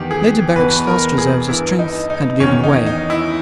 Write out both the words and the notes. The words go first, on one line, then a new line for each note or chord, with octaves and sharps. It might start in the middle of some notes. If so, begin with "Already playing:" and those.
Lady Berrick's last reserves of strength had given way.
Already playing: E2 D#3 G4
G#4
E2 B2 B4
A#4
G#4
G2 E3 E4
D#4
D#4
E2 D#3 C#4
D#4
D#4
E4